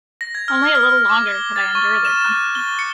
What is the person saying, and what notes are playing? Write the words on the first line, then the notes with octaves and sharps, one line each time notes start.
Only a little longer could I endure their company.
A#6
G#6
F6
F6
D6
G7
A6
C#6
E7
F#6
G7
C#7